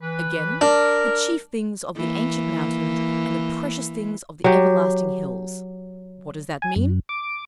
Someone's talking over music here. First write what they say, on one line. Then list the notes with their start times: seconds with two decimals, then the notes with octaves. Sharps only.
Again, "the chief things of the ancient mountains, and the precious things of the everlasting hills." What does that mean?
0.01 E3 B4
0.61 D4 A#4
1.96 E3 A#3
4.44 F#3 G4
6.62 G#5
6.76 F#2
7.09 D6